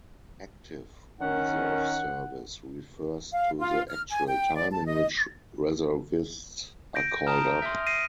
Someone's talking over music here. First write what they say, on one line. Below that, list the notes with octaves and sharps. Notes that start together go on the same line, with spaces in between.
Active reserve service refers to the actual time in which reservists are called up.
D#3 C#4 A#4 F#5
F5
F4
F6
G#5
G5
D5
A5
D#5
G6 A#6 D7
A5 A#5 D#6 F6
E5 G#5 C6
A#6 C7 D#7